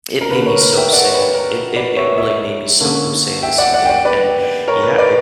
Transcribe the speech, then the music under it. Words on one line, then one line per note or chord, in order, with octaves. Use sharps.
It made me so sad. It it it really made me so sad to see that, and, yeah, I
A#4
D3 A#3 C#4 B4
B4
A#4 C#5
A#4
B4
E5 G5
D5 F#5
C#5
B4
A#4
B4 D5
C#5 E5
C#5 E5
D3 A#3 C#4
E5 G5
D5 F#5
D5 F#5
G5
D5 F#5
B4 D5
A#4 C#5
B4
B4 D5